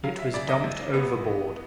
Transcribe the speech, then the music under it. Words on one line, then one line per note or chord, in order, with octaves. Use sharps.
It was dumped overboard.
F#3 F5
E5
C#3 D5
D#5
F#2
B3
E3